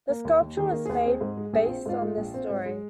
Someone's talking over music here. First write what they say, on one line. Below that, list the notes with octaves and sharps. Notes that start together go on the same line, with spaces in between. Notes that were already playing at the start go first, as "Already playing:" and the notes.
The sculpture was made based on this story.
A#3
D#2
D#2
D#3 G#4
A#3 A#4
D#2 G#4
C4
G#2
G#3
A#1 G#4
C4 F4
G#2 F4
G#3
A#1
C4
G#2
G#3